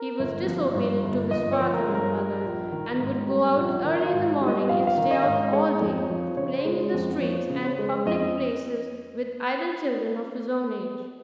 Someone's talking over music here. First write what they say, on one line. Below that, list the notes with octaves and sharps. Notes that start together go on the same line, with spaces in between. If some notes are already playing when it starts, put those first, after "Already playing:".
He was disobedient to his father and mother, and would go out early in the morning and stay out all day, playing in the streets and public places with idle children of his own age.
Already playing: A#4
G1
F3
G2
G1
G1 D#5
C#5
F3
A#4
G2
A#4
G3
A#1
D#3
G#2
G3
A#1
D#3
F4
G#2
G3
D#5
A#1 F5
F5
D#3
D#5
G#2 F5
D#5
G#3 C#5
F2
F3
C#3 C#5
C5
G#3
F2
F3 C#5
C#3
C5
G#3
F2 D#5